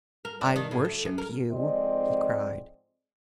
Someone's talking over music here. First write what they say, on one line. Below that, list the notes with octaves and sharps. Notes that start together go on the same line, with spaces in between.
"I worship you," he cried.
A#4
D4
D#3
A2
D2
F#2
A#4
F2 G#2 C4 D5 D#5